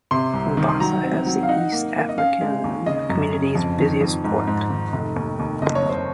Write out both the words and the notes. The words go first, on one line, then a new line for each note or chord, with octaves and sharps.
Mombasa has the East African Community's busiest port.
C3 C6
C2
D#3
C6
F#3 A#5
C4
F#3
F5
D#4 F#5
A#3
A#3
D#5
C#4 F5
G#3
D#2
C#3 D#5
F#2
C#3
F2
D#3
F2
G#2
G#2
D#3
F1
D#2
D#2
F#1 D#5
C#5
F#1 C5